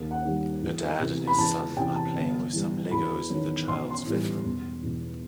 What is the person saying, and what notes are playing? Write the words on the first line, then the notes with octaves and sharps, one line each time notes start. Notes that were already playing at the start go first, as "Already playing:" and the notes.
A dad and his son are playing with some Legos in the child 's bedroom.
Already playing: D#2
F#5
D#3 G3
E2
C3 E3
B5
E2 A5
C3 E3 G5
A5
G1
G2 E3
E2 B5
D#3 F#3
B1 C6
C6
A2 E3 G3
E1
E2 B2